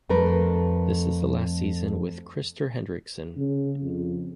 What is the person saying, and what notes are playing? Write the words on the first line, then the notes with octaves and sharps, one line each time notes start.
This is the last season with Krister Henriksson.
F2 A3 A#4 B4
C#3
F2